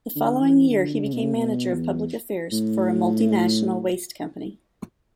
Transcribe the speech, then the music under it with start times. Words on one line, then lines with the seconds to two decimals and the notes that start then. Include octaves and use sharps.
The following year he became manager of public affairs for a multinational waste company.
0.16 D3
0.41 E3
0.68 D3
0.94 D3
1.03 C#3
1.13 B2
1.23 C#3
1.34 B2
1.73 E2
2.52 A2